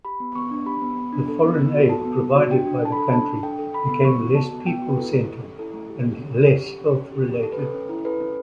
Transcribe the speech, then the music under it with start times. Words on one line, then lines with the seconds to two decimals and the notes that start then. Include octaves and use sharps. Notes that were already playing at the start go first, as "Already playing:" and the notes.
The foreign aid provided by the country became less "people-centered" and less health-related.
0.05 G4 B5
0.20 B3
0.35 B3 C#6
0.51 D4
0.66 G4 B5
0.81 B3
0.97 B3
1.13 D4
1.28 A4
1.43 B3
1.59 B3
1.74 F#4
1.89 A4 A5
2.05 B3
2.20 B3
2.35 F#4
2.51 D4 G5
2.66 D4
2.82 A4 A5
2.92 A4 B5
3.12 D4 A5
3.28 D4
3.43 A4 G5
3.59 A4
3.74 A4 B5
3.89 B3
4.05 B3 C#6
4.20 F#4
4.35 A4 A5
4.51 B3
4.66 B3 G5
4.82 F#4
4.88 B4
4.98 E4 A4
5.12 A3
5.28 G4
5.43 C#4
5.59 E4 A4
5.74 A3
5.90 G4
6.05 C#4
6.20 C#4
6.36 C#4
6.51 G4
6.66 G4
6.81 C#4
6.97 C#4
7.13 G4
7.28 G4
7.43 A4
7.52 B4
7.59 C#4 A4
7.74 C#4
7.89 E4
8.05 A4 B4
8.20 C#4